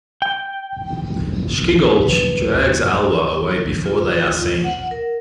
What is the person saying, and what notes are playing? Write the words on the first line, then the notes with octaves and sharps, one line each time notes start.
Schigolch drags Alwa away before they are seen.
G5
B4
F4
F4
F#5
A#4